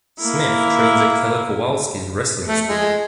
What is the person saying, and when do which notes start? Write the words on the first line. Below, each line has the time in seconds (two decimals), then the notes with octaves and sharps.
Smith trains at Killer Kowalski’s wrestling school.
0.21 A#3 E4
2.48 A3
2.67 G#3